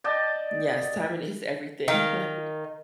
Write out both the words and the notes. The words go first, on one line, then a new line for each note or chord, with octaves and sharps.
Yes, timing is everything, like
D5 D#5 G5 A5
D#3 F5